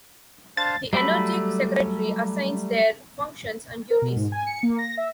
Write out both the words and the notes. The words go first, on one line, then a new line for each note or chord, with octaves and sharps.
The Energy Secretary assigns their functions and duties.
D4 C5 F5 A6
F#3 G3 A3 A4 B5
A#4
B2
G#2
G#5
C#7
A#3
A#6
E5